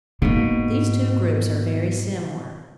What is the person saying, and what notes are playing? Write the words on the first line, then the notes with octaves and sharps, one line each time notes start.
These two groups are very similar.
G#2 B2 A#3